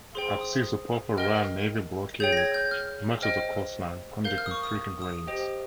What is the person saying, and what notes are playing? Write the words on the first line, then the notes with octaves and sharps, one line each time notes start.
At sea, the powerful Royal Navy blockaded much of the coastline, conducting frequent raids.
G#4 C5 G5 C6
D#6
A#4 D#5 G5 F6
G#4 C#5 G5 G6
A#6
G#6
G6
F6
C5 D#5 G5 F6
A#4 F5 G6
F6
D#6
C#6
D#6
D#6
G4 C5 D#5 G5